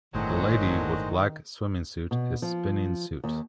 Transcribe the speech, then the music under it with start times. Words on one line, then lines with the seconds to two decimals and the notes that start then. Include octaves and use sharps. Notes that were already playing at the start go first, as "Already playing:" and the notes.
A lady with black swimming suit is spinning suit.
0.14 G1 A2 D3 D#3 F#3 G#3 C5 D#5
2.11 B2
2.42 F3
3.24 D#2